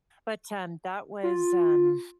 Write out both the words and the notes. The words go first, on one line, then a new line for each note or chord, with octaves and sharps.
But, um, that was an
F4